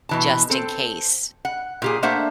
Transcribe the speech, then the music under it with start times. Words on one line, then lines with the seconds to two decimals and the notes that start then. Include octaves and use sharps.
just in case
0.09 B2 E3 A5
0.50 C4 A4
1.45 F#5
1.82 A#2 G4 G#4
2.03 A3 A#3 D4 C5 E5 F#5